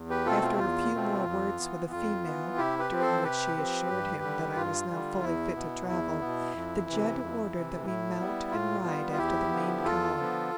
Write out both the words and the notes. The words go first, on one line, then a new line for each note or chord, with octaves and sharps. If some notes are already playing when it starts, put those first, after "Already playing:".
After a few more words with the female, during which she assured him that I was now fully fit to travel, the jed ordered that we mount and ride after the main column.
Already playing: E2
G4 B4
B2 A3 C4 F4 A4
F4
E2 F4
B2 A3 C4
F2
E3 B3
F2 F4
E3 B3
C3 E4 G4
G4 B4
F3 C4
A4 C5
C3 G4 B4
F3 C4
G2
D3 G3
G2 F4
D3 G3
E2 E4
B2 B3
E2 E4
B2 B3
F2
C3 E3
F2
C3 E3
A2 E4
G3 B3
A2 F4
G3 B3
F4
E2 E4 G4
D3 F3 B3
E2 F4 A4
D3 F3 B3